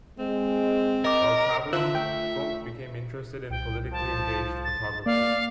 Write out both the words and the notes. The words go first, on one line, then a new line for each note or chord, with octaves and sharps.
While travelling, Funke became interested in politically engaged photography.
G#3 C4
A#4 D#5 D6
D3 F4 C5 E5 E6 F#6
A3 G5
C2 G5
F3 A5
A6
A#3 D5 F5